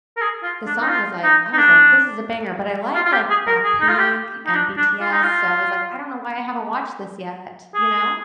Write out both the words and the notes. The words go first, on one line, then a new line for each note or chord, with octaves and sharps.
the song was, like I was like, "This is a banger." But I like like Blackpink and BTS, so I was like, "I don't know why I haven't watched this yet," you know?
A#4
G#4
F4
D4
D#4
F4
D#4
D#4
D4
F4
F4
G4
G#4
A#4
G#4
D#4
F4
G4
D#4
D4
D4
F4
D#4
F4
G#4